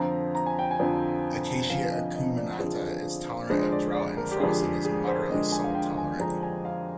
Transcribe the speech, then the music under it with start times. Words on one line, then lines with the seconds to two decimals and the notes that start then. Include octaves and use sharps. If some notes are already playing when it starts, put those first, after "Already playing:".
"Acacia acuminata" is tolerant of drought and frosts and is moderately salt tolerant.
Already playing: F2 D3 F3 C4 A#5
0.35 A#5
0.46 G#5
0.59 G5
0.71 G#5
0.79 F2 D3 F3 C4
1.70 F2 D3 F3 C4 F5
1.92 D#5
2.14 D#5
2.37 D5
2.59 F2 D3 F3 C4 G#4
3.49 F2 D3 G#3 D4 C5
3.62 C5
3.72 D5
3.94 D5
4.17 A#4
4.31 G4
4.40 F2 D3 G#3 D4 G#4
4.63 G#4
4.85 G#4
5.07 C5
5.30 F2 D3 G#3 D4 D#5
5.52 G#5
5.64 F5
5.75 G5
5.98 G#5
6.19 F2 D3 G#3 D4 A#5
6.43 G#5
6.65 F5